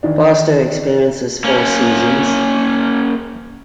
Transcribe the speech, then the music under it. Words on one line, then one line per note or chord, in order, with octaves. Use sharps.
Barstow experiences four seasons.
D#3 E3 D4
A#3 C#4